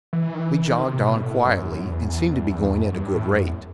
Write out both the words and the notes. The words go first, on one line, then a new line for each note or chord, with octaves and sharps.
We jogged on quietly--and seemed to be going at a good rate.
E3
D#3
E3
D#3
C3
B2
A2
F#2
F#2
E2
E2
F#2
F#2
G2
A2
F#2
E2